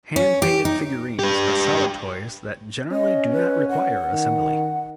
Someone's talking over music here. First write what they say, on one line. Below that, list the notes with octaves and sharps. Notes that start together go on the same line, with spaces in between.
Hand-painted figurines are solid toys that generally do not require assembly.
C#4
G4
D#4
G4 B4
C#4 D#5
B4
F#5
D#3